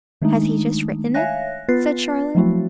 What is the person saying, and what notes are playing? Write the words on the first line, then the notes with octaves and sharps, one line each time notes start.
'Has he just written it?' said Charlotte.
D#3 G#3 A3 D4 D#4
C#5 E5 F5 G#5 F#6 A#6
B3 F4 B4 A6 C7
F3 F#3 A3 C4 E4 F#4